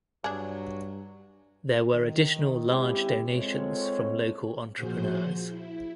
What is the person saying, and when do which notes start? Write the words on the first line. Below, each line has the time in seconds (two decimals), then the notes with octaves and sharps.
There were additional large donations from local entrepreneurs.
0.24 G2 F#3 D4 G#4
1.92 D#3
2.68 G#3 C4 C#4 E4 G4
3.31 G#3 C4 F4 A4 C#5
4.76 A#2 F3 F#4 G#4 C5 G6
5.48 E4